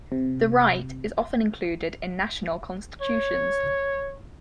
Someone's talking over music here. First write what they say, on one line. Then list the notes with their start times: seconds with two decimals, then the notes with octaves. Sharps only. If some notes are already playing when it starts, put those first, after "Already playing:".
The right is often included in national constitutions.
0.12 C3
3.01 C#5